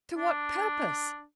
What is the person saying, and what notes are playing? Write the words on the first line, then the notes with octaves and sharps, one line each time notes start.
'To what purpose?
D4